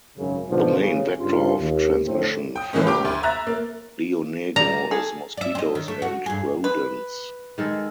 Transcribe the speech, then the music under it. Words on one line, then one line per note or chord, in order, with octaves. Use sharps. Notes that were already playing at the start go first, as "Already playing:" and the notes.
The main vector of transmission for Rio Negro is mosquitoes and rodents.
G#1 F#2 C#3
G#2 B2 D3 F3
A1 E2 C#3
G2 C#3 F4
D#2
F2 A2 D3 C4
G5 D#6
A2 E3 G#3 A#3 C#4
G4 D6
D2
E5 A#5 F#6 A6
A#3
G3 D5 A#5
G#4 A4
D5 E5
C4 D#5
D#3
A3
F#4
G2 G#4
B4
D#3 G#3 A4